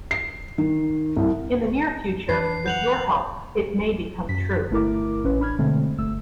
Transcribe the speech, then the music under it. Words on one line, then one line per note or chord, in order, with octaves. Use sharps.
In the near future, with your help, it may become true.
C7
D#3
C2
F2 E3 D4 B4 C7
F#5 G6 F7 F#7
F#2 B6
G1 A3 E4 A#4 D6
A1 C#4 B4
D4 B5 F6 G#6
B2 D3 G#3 A3 C4
G1 A3 E6